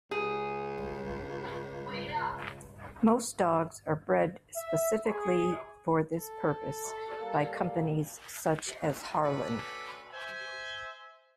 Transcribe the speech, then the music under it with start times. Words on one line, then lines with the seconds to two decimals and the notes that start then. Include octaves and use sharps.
Most dogs are bred specifically for this purpose, by companies such as Harlan.
0.11 C#2 G#4
4.56 E5
5.10 G#4
6.20 A4
7.21 G3 A#3
9.24 A3 C#4 D4 F#4 A4 B4
10.13 C5 E5 G#5